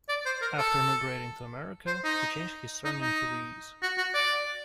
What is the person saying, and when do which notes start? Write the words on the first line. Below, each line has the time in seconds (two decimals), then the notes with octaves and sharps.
After emigrating to America he changed his surname to Rhees.
0.09 D5
0.26 C5
0.41 A#4
0.58 A4
1.87 C5
2.04 D#4
2.85 D#4
3.01 D#4
3.82 F#4
3.98 F#4
4.14 D5